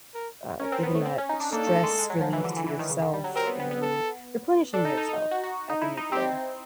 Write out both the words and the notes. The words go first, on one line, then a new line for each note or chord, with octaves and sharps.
uh, giving that stress relief to yourself and, replenishing yourself at the end of the day
A#4
C#4 A#4
C4
B3
A3
C4
C#4
D#4
D4
A#3 A4
A3
G#3
G#3
F#3
F3
E3
D3
E3
E3
D#3
C#3
D3
G3
F#3
C4 A#4
B3
B3
B3
A4
D4 A4
D#4
D#4
D#4
F#4
F#4
D#4
E4
D#4
C4 G4